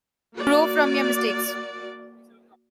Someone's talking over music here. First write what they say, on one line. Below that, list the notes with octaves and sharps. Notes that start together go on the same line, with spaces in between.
You grow from your mistakes.
A#3 F#4 D5